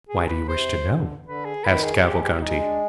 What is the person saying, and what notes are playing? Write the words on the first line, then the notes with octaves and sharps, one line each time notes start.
"Why do you wish to know?" asked Cavalcanti.
G#4
B4
C3 C5
D3
D3 B4
G#4
D#3 B4
G#4
G#3 G4
G4
G#3 D#4
D4